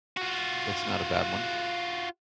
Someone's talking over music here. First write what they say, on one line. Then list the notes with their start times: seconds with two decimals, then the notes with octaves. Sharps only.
That's not a bad one.
0.17 F4 F#4